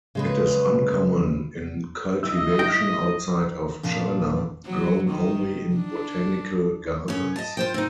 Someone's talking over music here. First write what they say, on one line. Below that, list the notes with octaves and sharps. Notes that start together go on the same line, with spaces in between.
It is uncommon in cultivation outside of China, grown only in botanical gardens.
C#3 G#3 B4
E4 D#5 E6
G5 A#6
A#2 D4 F5 A5
F#3
D#3
D4
F#2 C#4
D#5 A5
F4 C5 G5
C4 D#4